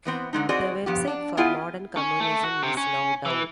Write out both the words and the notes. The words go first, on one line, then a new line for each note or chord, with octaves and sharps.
The website for "Modern Communism" is now down.
E3 B3 C4
D3 G#3 D#4
C4 F#4 G#4 D5 D#5
G2 F3 B3 G4
D4
B3 E4 F4 G#4 E5 G#5
C#4
A3
F#4
C3
C#4
E3